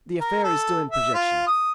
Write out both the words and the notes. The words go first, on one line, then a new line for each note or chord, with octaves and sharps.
"The affair is still in projection."
A#4
A4
E5
F4
D#6